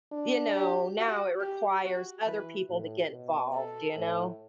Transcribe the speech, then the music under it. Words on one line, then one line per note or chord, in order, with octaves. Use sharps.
you know now it requires other people to get involved, d you know?
D4
G4
F#4
G4
F#4
E3 B4
A2
B2
A4
A2